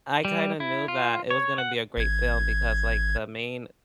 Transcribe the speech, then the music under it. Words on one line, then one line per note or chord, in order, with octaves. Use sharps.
I kinda knew that it was gonna be a great film because like the main,
G3
E4
F4
C#5
F#5
G#1 G#6